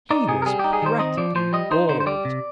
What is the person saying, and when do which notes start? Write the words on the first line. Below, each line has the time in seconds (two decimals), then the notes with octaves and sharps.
He was practically bald.
0.11 D#4 D5
0.28 C3 G#4
0.42 A#4
0.46 G3 G#4
0.59 D#4 G4
0.73 G#4
0.82 D#3 C5
0.99 C4 D#5
1.17 F3 D5
1.35 F3 C5
1.53 G3 D#5
1.71 D#4 C5
1.89 D3 C5
2.00 C5
2.06 G3 D5
2.25 C3